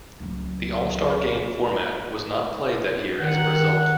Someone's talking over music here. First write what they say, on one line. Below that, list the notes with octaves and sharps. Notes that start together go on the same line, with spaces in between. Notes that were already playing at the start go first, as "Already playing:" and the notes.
The all-star game format was not played that year as a result.
C#2 F#3
D#3 F#5